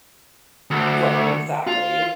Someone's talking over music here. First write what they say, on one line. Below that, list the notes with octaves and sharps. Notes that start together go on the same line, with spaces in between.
right, exactly.
D2
F4